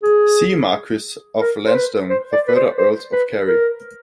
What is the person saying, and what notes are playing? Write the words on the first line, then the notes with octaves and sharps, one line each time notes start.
"See Marquess of Lansdowne for further Earls of Kerry".
G#4
A#4
C5
B4
C5
D5
B4
C5
C5
B4
A#4